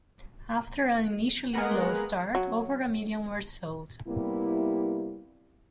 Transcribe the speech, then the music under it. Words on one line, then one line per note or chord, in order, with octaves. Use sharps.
After an initially slow start, over a million were sold.
G#3 A#3 B3 A#4 F#5
F#3
C3 G3 A#3 B3 E4